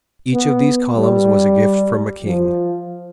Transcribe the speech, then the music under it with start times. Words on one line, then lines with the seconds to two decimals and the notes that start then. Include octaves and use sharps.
Each of these columns was a gift from a king.
0.33 B3
0.97 G3
2.24 F3